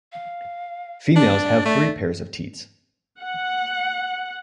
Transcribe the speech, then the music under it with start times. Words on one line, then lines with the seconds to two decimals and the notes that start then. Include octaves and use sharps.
Females have three pairs of teats.
0.12 F5
1.16 D4 D5
1.65 A3
3.20 F#5